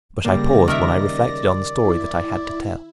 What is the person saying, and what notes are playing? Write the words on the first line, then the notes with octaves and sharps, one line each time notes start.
But I paused when I reflected on the story that I had to tell.
C#3 G3 A#3 D5 A#6
D#3 A#4 E5
E4